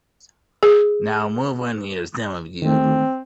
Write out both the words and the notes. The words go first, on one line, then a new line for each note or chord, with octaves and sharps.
Now move on here, some of you.
G#4
D#3 A3 C4